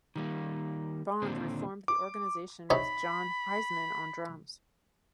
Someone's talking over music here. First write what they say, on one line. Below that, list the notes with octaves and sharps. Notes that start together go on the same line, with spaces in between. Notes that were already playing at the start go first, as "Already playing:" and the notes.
Bond reformed the Organisation with Jon Hiseman on drums.
D#3 G3 A#3
D#2 A#2 D3 C4 D4
D6
C3 C#4 D#4 B5